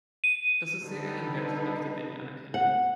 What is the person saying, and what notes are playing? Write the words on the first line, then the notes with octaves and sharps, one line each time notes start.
"Das ist sehr ehrenwert", nickte Benny anerkennend.
D#7
D3 G3 D#4 B4
F#5